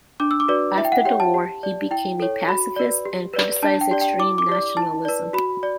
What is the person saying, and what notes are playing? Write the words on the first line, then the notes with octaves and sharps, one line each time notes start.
After the war he became a pacifist and criticized extreme nationalism.
D4 D6
E6
D6
F#4 B4 D5
E4 E5
G5
F#5
G4 C#5 G5
A5
G4
D5
E4 G5
A4 C#5
F#4 B5
B4 D5
G4
B4 D5
D4 A5
G5
G4 D5
G5
E4 D6
D6
G4 D5
E4 A5
B4 D5
F#4 B5
D5